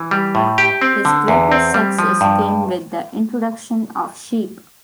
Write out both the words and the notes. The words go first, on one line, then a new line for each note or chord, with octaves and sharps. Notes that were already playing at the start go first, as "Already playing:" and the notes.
His greatest success came with the introduction of sheep.
Already playing: E3
G3
A2
G4
C4
D3
E2
C4
G3
F3
G2